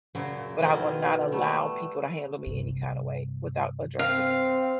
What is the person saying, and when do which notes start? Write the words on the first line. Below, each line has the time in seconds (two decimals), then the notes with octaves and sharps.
but I will not allow people to handle me any kinda way without addressing it.
0.15 F#2 A#2 C#3 F#3
0.61 F2 B2 D#3 A#3 C4 E4
1.32 G3 A3 B3
2.46 G2 C3
3.99 C4 F5